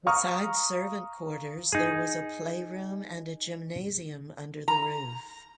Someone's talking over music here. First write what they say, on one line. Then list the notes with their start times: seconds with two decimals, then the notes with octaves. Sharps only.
Beside servant quarters, there was a playroom and a gymnasium under the roof.
0.06 F5 A#5 C#6 D#6 F6
1.72 D#4 G#4
4.68 A#5